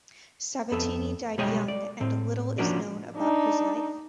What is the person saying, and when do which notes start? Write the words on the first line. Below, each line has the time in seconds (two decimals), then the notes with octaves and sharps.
Sabatini died young and little is known about his life.
0.72 F2 B3 A4
1.38 B1 G3 G#3 C#5 D#5 G5
1.68 D5
2.01 A2 C4
2.58 F3 A#3 C#4 D4 F#4 D5
3.17 D4 D#4